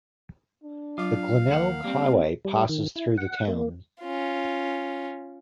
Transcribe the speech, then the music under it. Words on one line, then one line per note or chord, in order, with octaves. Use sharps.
The Glenelg Highway passes through the town.
D4
F#3 F4 F5 D6
D#2 A#3 F#5
G3 A#3 C4
G3
D#3
E4
F#5
A#3
C#4 F4